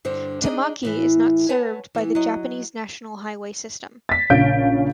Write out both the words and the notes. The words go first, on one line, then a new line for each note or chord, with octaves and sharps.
Tamaki is not served by the Japanese national highway system.
G2 D3 C5
D4 D#4 G#4 D#5
A2 C#3 E3
B4 C#5 F#5 G#5 A5
E3 B3
F#3 D#5
A6 B6
A#1 C#3 C#4 F5 G6 D7